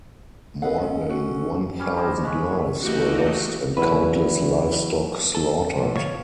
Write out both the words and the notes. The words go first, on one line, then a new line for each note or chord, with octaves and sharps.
More than one thousand lives were lost, and countless livestock slaughtered.
C4 A4 B4 D#5 F5 F#5
G#3 C#4 A4
F#4
G3 C#4
C5 D#5 D6
G#3 B5 C#6
E3 A3 A#3 F#4 G4 D#5
E2 F#3 A4 B4
A4
F2 A2
D2 F4 C#5